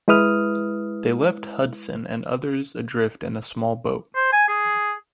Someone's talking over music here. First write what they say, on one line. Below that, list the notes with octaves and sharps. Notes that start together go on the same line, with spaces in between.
They left Hudson and others adrift in a small boat.
G#3 E4 B4 D#6 F6
C5
G#5
G#4